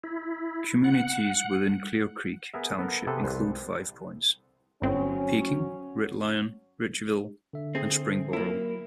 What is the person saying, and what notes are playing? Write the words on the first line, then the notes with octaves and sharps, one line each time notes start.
Communities within Clearcreek Township include Five Points, Pekin, Red Lion, Ridgeville, and Springboro.
E4
F#5
B3 G#4 A#4 E5
B3 A4 A#4
C3 B3 G#4 A4 B4 G5
C2 B4 C5
G1 F#3 C4 C#4
D3 E5
C4 G#4
F#3 A#3 E4